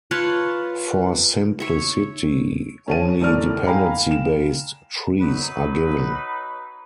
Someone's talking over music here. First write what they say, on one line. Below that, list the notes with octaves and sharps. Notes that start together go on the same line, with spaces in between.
For simplicity, only dependency-based trees are given.
F4 B4 C#5 A5
C#5 E5
C#4 A5 D#7
D#2 A2 A3 A#4 D5 F6
F5 G5 G#5 A#5 B5
E7
F#3 D#4 B4